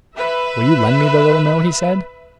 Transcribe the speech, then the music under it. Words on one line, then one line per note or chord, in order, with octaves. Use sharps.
"Will you lend me the Little Mill?" he said.
B4 E5